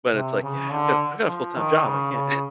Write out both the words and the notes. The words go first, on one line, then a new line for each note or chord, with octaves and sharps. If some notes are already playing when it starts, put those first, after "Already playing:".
but, it's like, "Yeah, I've got I've got a full time job I can't"
C3
C#3
D3
F3
D#3
C#3
C#3